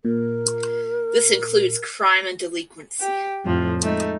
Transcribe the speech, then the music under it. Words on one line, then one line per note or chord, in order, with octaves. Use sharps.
This includes crime and delinquency.
A#2 A#4
G4
F2 A2 F3
G#3 A3 D#4